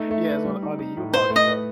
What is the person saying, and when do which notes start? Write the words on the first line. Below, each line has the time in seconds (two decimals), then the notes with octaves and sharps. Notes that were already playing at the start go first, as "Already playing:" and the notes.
Yes, on on a U-Haul truck,
Already playing: A3 D#4
0.11 A3
0.29 B4
0.45 G3
0.62 D#4
0.79 D#4
0.97 A2
1.14 B4 C5
1.30 A3
1.36 D#5
1.48 B4